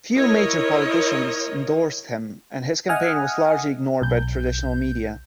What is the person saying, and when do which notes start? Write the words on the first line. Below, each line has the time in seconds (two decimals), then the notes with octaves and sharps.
Few major politicians endorsed him, and his campaign was largely ignored by traditional media.
0.15 E4 A#4 C#5 D#5
2.89 D#5 E5 F#5 G#5 D#6 F6
4.02 B1 G6